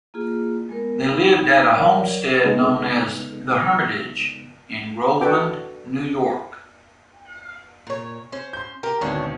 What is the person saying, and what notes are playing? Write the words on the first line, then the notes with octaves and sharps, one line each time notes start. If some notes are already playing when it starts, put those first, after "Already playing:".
They lived at a homestead known as "The Hermitage" in Groveland, New York.
A#3 E4 F4 G#4
G#3 B3 A#4
D#4 G5 B5
F#3 A#4 C#5 D5
C#3 G#3 B3 D#4 A4
D4 F#4 A4 B4 G5 D6
A#2 C#5
C#4 C5
C6 G6
G4 A#4
G#1 D2 B2 C#4 D4 C#5